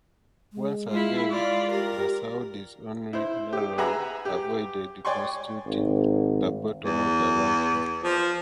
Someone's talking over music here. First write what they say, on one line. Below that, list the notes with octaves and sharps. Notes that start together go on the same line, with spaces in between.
Once again, the Saudis only narrowly avoided constituting the bottom of the ranking.
G#3
G#3 E4 F4
G#3 F4 D5
G4 A#4
E4 C5
G4
G#4 B4 E5 F#5 G#5 A#5
G4
C#5 D5 G5 G#5 C6 C#6
G#1
E2
F3